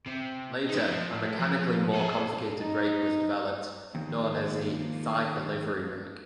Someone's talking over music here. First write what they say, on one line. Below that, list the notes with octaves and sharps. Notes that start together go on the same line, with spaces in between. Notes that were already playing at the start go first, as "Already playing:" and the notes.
Later, a mechanically more complicated rake was developed, known as the "side delivery rake".
C3
D#4 B4
F3
A2
F3
G#4 A4
D#4
D#2 F3 A#3